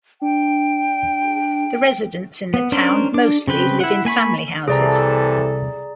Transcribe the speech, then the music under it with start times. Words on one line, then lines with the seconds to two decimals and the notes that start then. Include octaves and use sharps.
The residents in the town mostly live in family houses.
0.22 D4 G5
2.54 B3
2.72 C#4 D4 A#4 C5
3.14 D4 D6
3.48 C#3 C4 B4 G5
3.80 E4 F#5
4.05 A#3 G#5 B5 C#6
4.68 C2 C3 E3 G#4 A4 D5 A#5